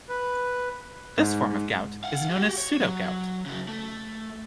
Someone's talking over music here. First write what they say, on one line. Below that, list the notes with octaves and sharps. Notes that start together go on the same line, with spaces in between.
This form of gout is known as pseudogout.
B4
G#2
F5 F#5
F#4 G4
C#5
F#3
C#3 F#3
A3